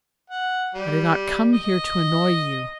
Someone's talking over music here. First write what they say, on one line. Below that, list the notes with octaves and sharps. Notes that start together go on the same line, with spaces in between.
I did not come here to annoy you.
F#5
G3
D#5